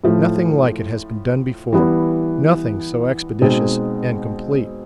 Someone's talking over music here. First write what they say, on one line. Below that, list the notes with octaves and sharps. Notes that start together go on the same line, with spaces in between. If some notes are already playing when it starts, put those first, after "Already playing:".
Nothing like it has been done before; nothing so expeditious and complete.
A2 F3 A3
E3 G3 B3 E4
B2 G#3 C4 D#4